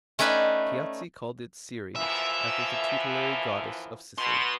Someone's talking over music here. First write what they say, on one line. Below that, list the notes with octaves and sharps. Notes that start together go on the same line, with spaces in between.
Piazzi called it Ceres, after the tutelary goddess of Sicily.
A3 C#4 D#4 B4 D5 G5
F#2 E3 F3 E5
B2 C6